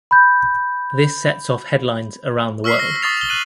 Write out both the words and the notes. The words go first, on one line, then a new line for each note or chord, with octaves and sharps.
This sets off headlines around the world.
B5 G6
C#6 E6 F6 B6 C7
A#6
C#6 D#6 E6 A6 C7 F7
F7 G7
F#6 D#7 F#7